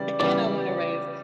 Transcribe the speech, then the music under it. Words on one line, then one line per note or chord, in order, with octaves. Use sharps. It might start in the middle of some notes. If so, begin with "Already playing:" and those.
A and I wanna raise.
Already playing: C#3 E3 G3 D5
C#3 E3 G3 D5